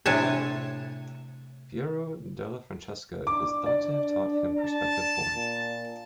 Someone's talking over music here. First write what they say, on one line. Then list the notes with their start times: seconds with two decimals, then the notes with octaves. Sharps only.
Piero della Francesca is thought to have taught him perspective form.
0.06 A2 C3 D4 C#5 G#5 A5
3.27 D4 D6
3.66 D5
4.58 A5
5.35 A#2